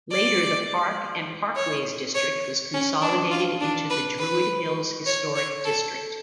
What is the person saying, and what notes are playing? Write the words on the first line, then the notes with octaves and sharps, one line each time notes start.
Later the Park and Parkways district was consolidated into the Druid Hills Historic District.
D5
C#5
C#5
C#4
D4
F4
D4
B4
B4
C#5
C#5
A4